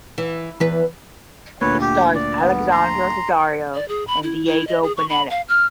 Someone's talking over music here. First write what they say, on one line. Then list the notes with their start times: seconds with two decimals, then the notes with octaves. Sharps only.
It stars Alexandra Daddario and Diego Boneta.
0.18 E3
0.60 E2 E3 B4
1.61 D2 A#2 B4 C#5
1.81 G4
2.15 D5
2.40 B3
2.71 A#5 C6
3.74 D5
3.88 G#4
4.07 B5
4.23 E4
4.46 E4
4.67 D#5
4.82 G#4
4.97 C#6
5.09 B5
5.30 F5
5.49 F6